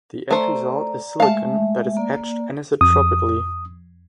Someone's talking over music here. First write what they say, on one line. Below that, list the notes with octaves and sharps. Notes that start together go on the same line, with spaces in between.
The end result is silicon that is etched anisotropically.
A3 C5 D5 A#5
G#3 A3 E5 F5 A5
A#3 D5
F2 D#6